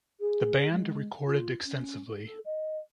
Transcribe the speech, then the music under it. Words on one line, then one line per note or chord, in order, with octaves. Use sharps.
The band recorded extensively.
G#4
G#3
F4
C#4
A4
D#5